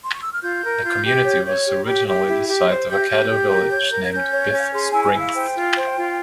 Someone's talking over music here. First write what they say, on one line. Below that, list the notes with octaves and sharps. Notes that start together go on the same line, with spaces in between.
The community was originally the site of a Caddo village named Biff Springs.
C6
C#6
E6
F6
F4 G6
A#4
F4
G4
C#5
C#5
G4
G4
G4
E4
G4
C5
G4 G6
G4
G4
A#4
C#5
A#4
G#6
C#4 G6
C#5
C#4
G#4 C6
G#5
E4
G#5
E4
F5
C5 G5
F4
C5
F4